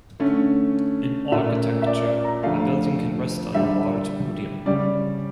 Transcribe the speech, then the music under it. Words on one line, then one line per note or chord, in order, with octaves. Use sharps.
In architecture a building can rest on a large podium.
D3 A3 C#4
A#2 A3 C#4 E5
E5
D5
D5
A#5
F2 D3 A3 F5
D3 G3 D4 E5
C#3 G3 C#4 D5